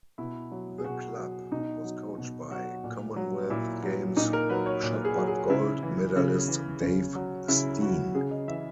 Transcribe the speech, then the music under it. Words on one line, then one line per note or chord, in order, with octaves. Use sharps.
The club was coached by Commonwealth Games shot put gold medalist Dave Steen.
B2 E4
F#3
G#4
B2 F#4
F#3
B2 D#4
F#3
B2
F#3 F#4
A#2
F#3
A#2 E4
F#3
A#2 D#4
A#4
F#3 B4
C#5
A#2
G#4
F#3
G#4
C#3 E4
E3
C#3
E3
C#3
F#3
C#3 E4
F#3 F#4
C#3 G#4
D#5
E3 E5